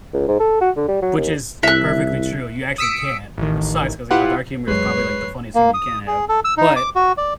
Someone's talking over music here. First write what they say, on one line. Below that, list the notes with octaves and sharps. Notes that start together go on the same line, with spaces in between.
Which is perfectly true, you actually can't- which sucks 'cause, you know, dark humor is probably, like, the funniest humor you can have. But
C#2
G#2
A4
F#4
D3
G3
F#3
D#2
C2 E4 E5 F#6
D#6 E6 B6 C#7 D7
A1 D#3
E4 F4 G4 B4 F#5
F#2 F#3 G#3 B4 C#5 C7
A#3
D#6
G#4
A4
E6
D#4
D6
F#4
D5